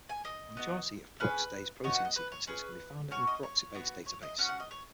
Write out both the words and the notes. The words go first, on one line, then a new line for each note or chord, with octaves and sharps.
A majority of peroxidase protein sequences can be found in the PeroxiBase database.
G#5
D#5
B3 D#4 F#4
C#4 G#4 B4
B3 D#4 F#4 C#5
F#5
D#5
B4
C#5
C#4 G#4 B4
C#4 F#4 C#5
D#5
C#5
B3 F#4
C#5
D#5
C#4 F#4 F#5
F#5
D#5
C#5